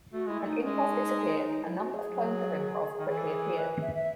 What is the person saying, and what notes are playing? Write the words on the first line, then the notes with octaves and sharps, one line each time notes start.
When Improv disappeared a number of clones of Improv quickly appeared.
A3 F#4
G#3 E4
A3
D#4
G#3 C#4
D#4
E4
F#4
G#4
F#3
D#3
E3 G#4
A4
G#4
B4
E5
E5